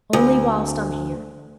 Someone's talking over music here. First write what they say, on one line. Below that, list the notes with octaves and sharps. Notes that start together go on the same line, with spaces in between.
'Only whilst I'm here.'
D2